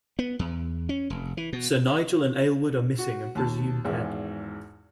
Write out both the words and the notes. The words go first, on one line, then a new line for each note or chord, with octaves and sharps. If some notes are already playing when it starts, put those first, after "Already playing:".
Sir Nigel and Aylward are missing and presumed dead.
B3
E2
C#4
F1
E3
B2
F#4
D#2 A5
G#1 E2 G#2